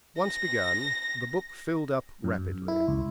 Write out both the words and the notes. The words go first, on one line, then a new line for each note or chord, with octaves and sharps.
Once begun, the book filled up rapidly.
A#6
F#2
E4
C#2